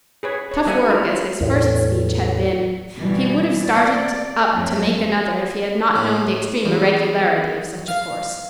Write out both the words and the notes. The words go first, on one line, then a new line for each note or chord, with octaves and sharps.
"Tough work" as his first speech had been, he would have started up to make another if he had not known the extreme irregularity of such a course.
G#4 B4 C#5
C#5
G3 A#3 A#4 E5 F#5 G#5
G#3 D4 E4 F4 G#4 A#4
E2 A2
B2 E3 G3
D5
F2 F#3 A3 A#3
A2
E2
F5